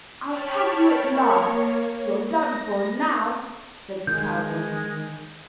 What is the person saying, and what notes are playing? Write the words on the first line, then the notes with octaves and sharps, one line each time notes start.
"I have you at last; you're done for now!", said the cowboy.
C#5 G5 A5 B5 C#6 F6
A#3 C#5
A#6
D#3 G#3 G6